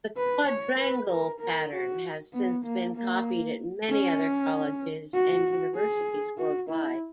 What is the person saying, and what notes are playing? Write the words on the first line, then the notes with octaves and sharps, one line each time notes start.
The quadrangle pattern has since been copied at many other colleges and universities worldwide.
B4
C#5
B4
A#4
A#4
F#4
B3
A#3
A#3
C#4
F#4
G#4
F#4
E4